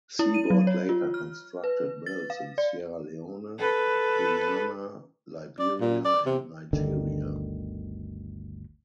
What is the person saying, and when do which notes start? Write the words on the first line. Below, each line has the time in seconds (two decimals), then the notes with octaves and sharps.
Seaboard later constructed mills in Sierra Leone, Guyana, Liberia and Nigeria.
0.19 E4
0.34 D#7
0.50 F#3
0.67 C#5
0.89 F4
1.14 F6
1.64 B4
2.06 A6
2.30 F5
2.58 D5
3.58 A4 B4
5.59 D5
5.81 A#2
6.05 D5
6.26 C3
6.73 G1 D2 D3 D#3